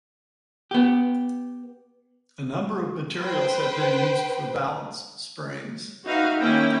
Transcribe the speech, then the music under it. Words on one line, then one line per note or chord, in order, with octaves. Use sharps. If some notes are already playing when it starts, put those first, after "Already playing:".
A number of materials have been used for balance springs.
B3 G4
B4 C5 G5
D#4 F#4 B4 E5 F5
D#3 A#3 C#4 E4 G5